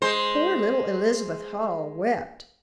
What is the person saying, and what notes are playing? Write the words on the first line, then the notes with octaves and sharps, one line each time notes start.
Poor little Elizabeth Hull wept.
G#3 C5